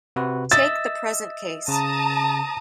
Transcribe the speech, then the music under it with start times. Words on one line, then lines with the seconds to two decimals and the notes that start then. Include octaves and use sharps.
Take the present case.
0.16 C3 F#4 B4
0.52 D#5 E5 E6 A6
1.68 C#3 A5 A#5 D#6